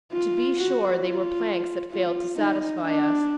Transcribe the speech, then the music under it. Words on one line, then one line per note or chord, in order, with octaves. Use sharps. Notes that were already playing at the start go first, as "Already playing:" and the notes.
To be sure, they were planks that failed to satisfy us.
F4
F#4
F4
F4
D#4
D4